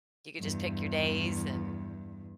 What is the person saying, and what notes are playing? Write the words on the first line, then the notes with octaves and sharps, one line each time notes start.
you could just pick your days and
E2 G2